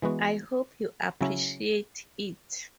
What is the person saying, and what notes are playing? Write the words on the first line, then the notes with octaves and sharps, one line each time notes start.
I hope you appreciate it.
E3 G#3 B3 F#4
C#3 F#3 C#4 E4